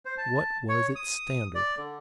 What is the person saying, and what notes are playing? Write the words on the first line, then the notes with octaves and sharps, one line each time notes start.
What was its standard?
C5
A5
C#5
D#6
D5
D3